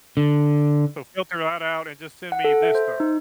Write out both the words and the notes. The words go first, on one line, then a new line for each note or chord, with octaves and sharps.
so filter that out and just send me this stuff.”
D3
F#5
A4
E5
C5
D#4